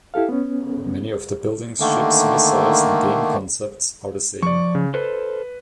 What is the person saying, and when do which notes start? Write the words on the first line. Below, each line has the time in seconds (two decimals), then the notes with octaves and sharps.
Many of the buildings, ships, missiles, and game concepts are the same.
0.14 E4 G4 A4 F5
0.29 B3 C#4
1.80 D3 D#3 A3 A#3
4.43 F3 D5 C#6
4.75 C#3
4.94 A4 B4 C5